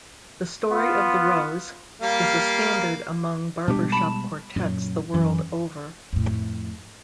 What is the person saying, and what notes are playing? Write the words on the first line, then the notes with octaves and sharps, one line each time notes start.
"The Story of the Rose" is a standard among barbershop quartets the world over.
B3 F4
G3 A#3 F5
B2 G3 G#3 D4 G4
A5 B5
F#2 A#2 F#3
F#2 E3
F2 A2